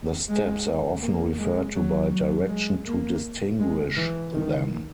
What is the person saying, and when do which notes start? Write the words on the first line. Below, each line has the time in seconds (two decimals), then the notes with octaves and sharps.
The steps are often referred to by direction to distinguish them.
0.28 G#3
1.02 A#3
1.39 G#3
1.76 F#3
2.12 F#3
2.49 G#3
2.86 A#3
3.60 G#3
3.97 E3
4.34 D#3